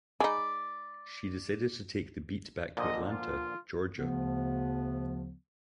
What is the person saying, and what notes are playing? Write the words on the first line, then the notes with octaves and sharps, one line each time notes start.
She decided to take the beat back to Atlanta, Georgia.
G#3 D#4 D5 B5
A#2 D3 F3 D#5
F4
D2 C#3 F3 B3